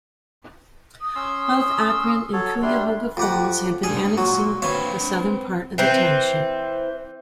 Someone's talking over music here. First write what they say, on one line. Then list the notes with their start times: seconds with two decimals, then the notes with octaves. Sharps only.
Both Akron and Cuyahoga Falls had been annexing the southern part of the township.
1.01 D#6
1.16 C#4 C6 E6
2.33 F#3 A4 C#5
2.62 G3 D4 E5 C6
3.17 F2 G4 F#5
3.83 G#2 G3 G#4
4.18 A#2 F#3
4.62 C4 B4 C#5 E5 F5
5.78 E3 C4